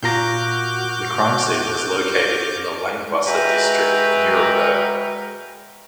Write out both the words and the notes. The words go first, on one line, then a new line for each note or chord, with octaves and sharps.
The crime scene was located in the Langwasser district of Nuremberg.
A#2 F4 F#4 A#5 D6 F6 G6
G#3 F#4 B4 E5 G5 A#5